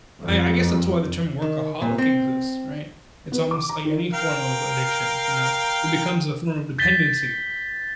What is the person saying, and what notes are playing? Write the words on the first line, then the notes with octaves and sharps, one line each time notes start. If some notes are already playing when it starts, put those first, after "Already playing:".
I I guess that's why the term workaholic exists, right? It's almost like any form of addiction, you know? It becomes a form of dependency.
F2
D#3
A#2
C4
B3
D6
A#5
D#3
A#4 F5 G5
G6 A6 B6 G7